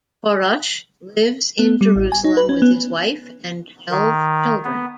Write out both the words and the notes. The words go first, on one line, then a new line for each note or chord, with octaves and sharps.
Porush lives in Jerusalem with his wife and twelve children.
B3
G3
A1
G#5
D#4
B4
C#4
B3
D#3
B3